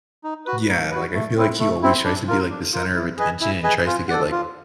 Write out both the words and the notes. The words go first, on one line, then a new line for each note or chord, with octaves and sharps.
Yeah, like, I feel like he always tries to be, like, the center of attention and tries to get, like,
D#4
F#4 B4
D#4
F#4 B4
A3
C4 E4
A3
C4 E4
D4
F4 A#4
D4
F4 A#4
E4
G#4 B4 D#5 G#5
E4
G#4 B4 D#5 G#5
F4
A4 D5 F#5
F4